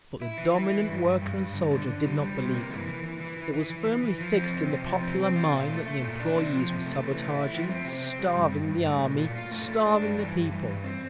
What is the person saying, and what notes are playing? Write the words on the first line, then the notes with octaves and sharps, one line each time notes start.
But the dominant worker and soldier did not believe them; it was firmly fixed in the popular mind that the employees were sabotaging, starving the Army, starving the people....
E4
E3
E4
E3
G2
G2
G2
G2
D3
D3
D3
G3
G3
C3
A#3
E3
E3
E3
E3
E3
E3
E3
E3
E3
F3
C4
C3
C3
F3
C4
C4
F4
A#2
A3
A3
A#2
D4
C3
F3
C3
A3
E3
A3
E4
F3
C4
C3
C4
G3
G2
G2
G2
A3
A#2
F4
F4
A3
A3
D4
G2
E3
G2
E3
G2
C4